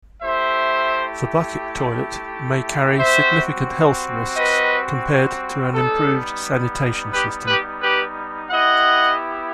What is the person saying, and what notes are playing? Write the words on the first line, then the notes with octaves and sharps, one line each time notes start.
The bucket toilet may carry significant health risks compared to an improved sanitation system.
A3 E4 G4 C5 E5
G3 C4 F#4 C5 E5
B4 D#5
G3 B3 D#4 A4
G4 B4
G4 B4
G4 B4
B3 E4 G4 D#5 F#5